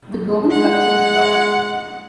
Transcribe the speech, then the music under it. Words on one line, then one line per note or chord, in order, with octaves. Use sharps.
The global structure of the document.
G#3 F#5